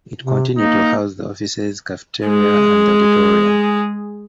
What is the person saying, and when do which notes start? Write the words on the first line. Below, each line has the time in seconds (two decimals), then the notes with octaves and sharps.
It continued to house the offices, cafeteria, and an auditorium.
0.23 C3
0.58 A#3 D#4
2.26 G#3 G#4